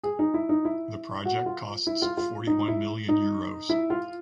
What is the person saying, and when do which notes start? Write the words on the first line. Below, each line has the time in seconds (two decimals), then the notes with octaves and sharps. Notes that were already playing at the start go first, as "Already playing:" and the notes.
The project costs forty one million Euros.
0.04 G#4
0.19 D#4
0.34 E4
0.49 D#4
0.65 E4
1.25 F#4
1.46 F4
1.87 E4
2.02 F4
2.17 F4
2.47 D#4
2.68 E4
3.09 D#4
3.69 E4
3.90 F4